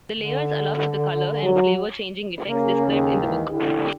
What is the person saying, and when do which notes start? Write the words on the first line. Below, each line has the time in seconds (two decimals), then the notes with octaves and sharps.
The layers allow for the colour and flavour changing effects described in the book.
0.15 D3
1.42 F#3
2.48 C#3 A#3
2.87 D#2
3.20 G#2 E3
3.50 D3 E4 G4